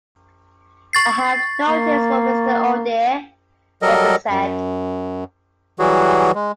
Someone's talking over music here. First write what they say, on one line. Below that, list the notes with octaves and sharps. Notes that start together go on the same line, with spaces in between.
"I have no tears for Mr. Odeh," Rubin said.
C#6 A6 C7
A#3
F#3 G3 A4 A#4 D#5
F#2
E3 F#3 G3 F#4 G#4
G#3